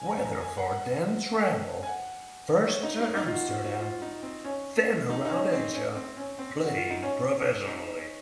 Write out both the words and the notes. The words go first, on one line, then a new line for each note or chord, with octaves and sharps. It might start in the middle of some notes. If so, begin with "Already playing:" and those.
Weatherford then traveled, first to Amsterdam, then around Asia playing professionally.
Already playing: G#5
A#5
G#5
A#5
G#5
F#5
G#5
F#5
C#5
D#4
D#4
D#4
F4
F#4
F#4
F#4
F4
D#4
C4
C#4
D#4
D#4
C#4
C4
C#4
C4
C#4
C4
F#4
F4
D#4
C#4
D#4